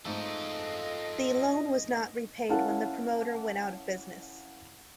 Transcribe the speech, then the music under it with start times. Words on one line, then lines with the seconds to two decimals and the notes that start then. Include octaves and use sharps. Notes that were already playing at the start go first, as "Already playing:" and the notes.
The loan was not repaid when the promoter went out of business.
0.05 G#2 A3 F4 A4 D#5
2.49 C#4 E4 A#4 F5 F#5 A5